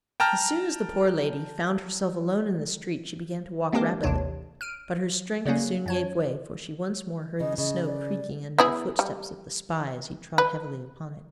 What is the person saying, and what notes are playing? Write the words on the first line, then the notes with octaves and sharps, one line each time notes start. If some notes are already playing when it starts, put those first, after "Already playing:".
As soon as the poor lady found herself alone in the street she began to walk rapidly; but her strength soon gave way, for she once more heard the snow creaking under the footsteps of the spy as he trod heavily upon it.
G5 A5 A#5 F6
G#3 A#3 C4 D4 G4 A#4
A1 D#2 C3 D4 C#5
F6 D7 D#7
C#3 F#3 G3 A#3 C#4
F#2 C#5 A5
C#3 D#5
C#3 D#5
D5
B3 E4 G#4
G3
B4